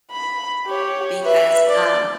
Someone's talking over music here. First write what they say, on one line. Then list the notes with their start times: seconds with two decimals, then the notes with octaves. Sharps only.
because, um,
0.11 B5
0.66 G4 C#5
1.23 B4 E5
1.67 D5